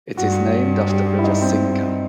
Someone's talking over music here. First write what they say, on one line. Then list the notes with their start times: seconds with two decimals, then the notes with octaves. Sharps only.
It is named after river Cinca.
0.17 G2 F#4
0.89 G4
1.06 G4
1.19 E4
1.24 D#4
1.41 C4